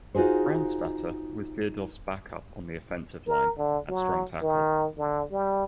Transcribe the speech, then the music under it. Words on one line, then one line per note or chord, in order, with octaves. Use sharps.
Brandstatter was Dierdorf's backup on the offensive line, at strong tackle.
D#4 F4 F#4 G#4 C5
A#4
D3
F#3
D#3
D3
G3